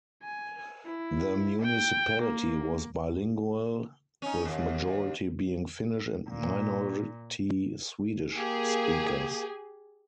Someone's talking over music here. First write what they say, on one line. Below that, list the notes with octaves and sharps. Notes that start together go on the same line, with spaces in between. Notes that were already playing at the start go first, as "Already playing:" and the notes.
The municipality was bilingual, with majority being Finnish and minority Swedish speakers.
G#5
E4
G5
A#3
C#4 D#4
D#2
A#2
A#3 G4 G#4